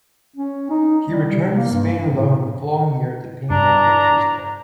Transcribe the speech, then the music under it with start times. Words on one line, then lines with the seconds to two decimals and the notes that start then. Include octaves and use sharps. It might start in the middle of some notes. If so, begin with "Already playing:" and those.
He returned to Spain alone the following year to paint more pictures there.
0.36 C#4
0.70 D#4
1.08 G3
1.32 C3
1.55 A#3
1.71 G2
2.11 A2
3.50 G2 D4 A#5